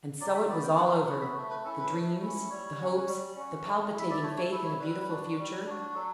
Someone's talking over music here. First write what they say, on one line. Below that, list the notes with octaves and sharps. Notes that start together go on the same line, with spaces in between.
And so it was all over--the dreams, the hopes, the palpitating faith in a beautiful future.
F#3 D5
E5
B3 F#4 D5
G5
F#3 F#5
F#5
B3 F#4 F#5
E5
A3
B4
C#4 E4 A4
B4
A3
C#4 E4
G3 C#5
C#4 F#4
G3
C#4 F#4
A3
E4
E5
D5
A3 C#5
C#5
E4 A4
C#5
G3 B4
D4 F#4
G3
D4 F#4
F#3 A4